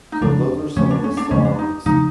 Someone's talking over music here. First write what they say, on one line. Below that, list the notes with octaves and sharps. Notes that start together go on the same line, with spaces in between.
So, those are some of the songs
D#4
F2 C#3 F3 A3 D4
F2 C#3 F3 A3 C#4
D4
C#4
D4
F2 C#3 F3 A3 C#4
D4
D#4
F2 C#3 F3 A3 D#4